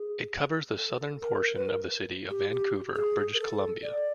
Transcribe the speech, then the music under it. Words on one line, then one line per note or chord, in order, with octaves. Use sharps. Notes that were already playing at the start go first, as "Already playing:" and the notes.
It covers the southern portion of the city of Vancouver, British Columbia.
Already playing: G#4
A4
A#4
B4
A#4
G4
G4
G#4
A#4
A4
D5